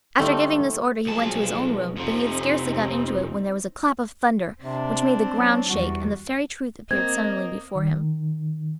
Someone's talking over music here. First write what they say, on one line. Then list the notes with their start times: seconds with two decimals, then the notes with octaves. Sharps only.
After giving this order he went to his own room, but he had scarcely got into it when there was a clap of thunder which made the ground shake, and the Fairy Truth appeared suddenly before him.
0.19 D3 G3 A3 C4 D#4
1.06 B1 F3 G#3 F#4 A5
1.97 F2 C3 C4 D#4
4.61 C3 C4 D4
5.34 F#3
5.69 E2 G3 F#4
6.91 A#3 C4 D#5 G#6
7.75 D#3